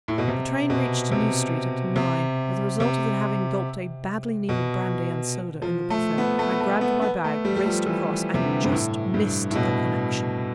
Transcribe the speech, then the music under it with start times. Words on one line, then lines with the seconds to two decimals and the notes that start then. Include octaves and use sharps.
The train reached New Street at nine, with the result that having gulped a badly needed brandy and soda in the buffet, I grabbed my bag, raced across--and just missed the connection!
0.08 A2
0.18 B2
0.28 C3
0.70 B2
1.11 C3
1.96 C3
2.80 C3
4.49 B2
5.62 F3
5.90 A3
6.18 B3
6.39 A3
6.51 B3
6.60 A3
6.81 B3
7.02 B3
7.24 A3
7.45 G3
7.56 G3
7.66 F3
7.86 E3
8.34 C3
8.43 D3
8.64 G2
8.72 A2
9.14 G2
9.50 A2
9.55 B2